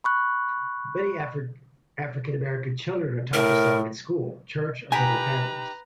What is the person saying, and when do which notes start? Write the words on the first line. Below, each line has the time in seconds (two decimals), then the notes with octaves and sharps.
Many African-American children are taught the song at school, church or by their families.
0.04 B5 C#6 F#6
3.33 A2 A#4
4.92 D#4 G4 B4 G#5 A#5 B5